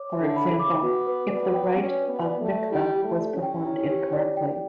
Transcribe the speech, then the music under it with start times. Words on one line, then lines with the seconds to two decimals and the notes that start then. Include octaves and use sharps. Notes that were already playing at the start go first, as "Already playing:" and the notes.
For example, if the rite of mikveh was performed incorrectly.
Already playing: C#5 D6
0.12 E5
0.20 D3
0.36 B5
0.51 C#3
0.60 D6
0.83 B3 F#4
1.07 B4
1.30 B3 D5
1.54 G5
1.77 C#4 F#4
2.01 B4
2.08 B3
2.25 D5
2.41 A3
2.48 G5
2.71 G3 E4
2.95 G4
3.04 A3
3.19 D5
3.35 C#4
3.42 G5
3.66 E4
3.90 G4
4.13 D5
4.37 G5